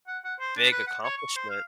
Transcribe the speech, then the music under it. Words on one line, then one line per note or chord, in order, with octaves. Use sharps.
big accomplishment.
F#5
F#5
C5
D4
B4
F#5
C#5
C#6
C5
F5